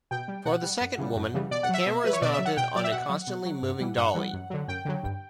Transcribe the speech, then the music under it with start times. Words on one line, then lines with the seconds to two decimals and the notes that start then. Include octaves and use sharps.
For the second woman, the camera is mounted on a constantly moving dolly.
0.11 B2 G5
0.28 G3
0.45 B2 F#5
0.63 G3
0.81 F#2
0.98 C#3 E3 G3
1.16 F#2
1.34 C#3 E3 G3
1.51 B2 D5
1.63 F#5
1.69 F#3
1.74 E5
1.86 B2
2.04 F#3 B4
2.13 C#5
2.22 B2 D5
2.33 E5
2.39 F#3
2.45 F#5
2.57 B2 G5
2.75 F#3 D5
2.84 E5
2.91 B2 F#5
3.10 F#3
3.27 B2
3.45 F#3
3.62 G2
3.80 E3 G3
3.97 G2 F#5
4.15 E3 G3
4.33 F#2
4.50 D3 F#3
4.68 F#2 G5
4.85 D3 F#3
5.03 G2